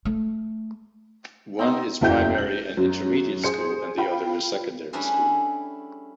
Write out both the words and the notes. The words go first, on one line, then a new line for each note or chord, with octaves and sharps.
One is Primary and Intermediate school and the other is Secondary School.
A3
B3 C4 D#4 C6
F#1 E2 E4 F#4 G5 G6
G6 F#7
F#2 F#3
G#4 C5 C#7
F4 G5 B5
G3 A3 C#4 D4 E4 G#4